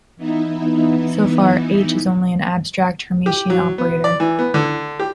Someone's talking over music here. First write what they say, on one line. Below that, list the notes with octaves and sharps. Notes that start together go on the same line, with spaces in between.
So far, H is only an abstract Hermitian operator.
E3 B3 D#4 E4
G4
F#3
B3
D5
E3
B3
D3
G4